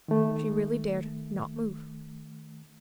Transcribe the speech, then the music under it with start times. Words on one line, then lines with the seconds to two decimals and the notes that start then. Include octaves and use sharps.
She really dared not move.
0.08 D#3 A3